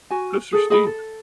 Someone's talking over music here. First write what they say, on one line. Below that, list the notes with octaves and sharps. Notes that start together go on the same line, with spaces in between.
cliffs are steep.
F#4 G#5
G#4 A4
G#4 D#5 B5
A4